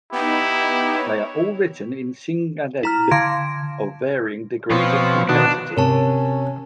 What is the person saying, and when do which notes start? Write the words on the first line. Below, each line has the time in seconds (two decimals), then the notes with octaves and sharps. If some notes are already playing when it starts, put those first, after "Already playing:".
They are all written in cynghanedd of varying degrees of complexity.
0.12 B3 D#4 E4 G4
0.98 C#5
2.83 E4 A#5 F6
3.11 D3 F5 C6 G#6 A#6 D7
4.70 B2 F3 C4 F4 C#5
5.29 B2 D#3 D4 F#4
5.77 C3 C#4 A#4 C#5 A5